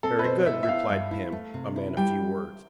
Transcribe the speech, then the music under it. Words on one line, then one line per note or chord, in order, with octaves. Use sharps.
"Very good," replied Pim, a man of few words.
C4 A4
B4
B2 C5
E4 E5
E5
B3 F5
G2
E4
A3
C3
E4
G3 G5